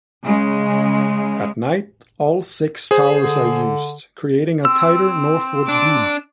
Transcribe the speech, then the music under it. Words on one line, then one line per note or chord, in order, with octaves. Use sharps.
At night, all six towers are used, creating a tighter northward beam.
C#3 G#3
G#4 C5
D3
C4 E6
D4 D6